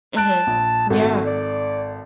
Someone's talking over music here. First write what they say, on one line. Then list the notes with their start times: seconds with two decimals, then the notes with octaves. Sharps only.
Mhm. Yeah.
0.17 A5 F#6 D7
0.47 A#1
0.90 G#1 F#4 A4
1.25 D5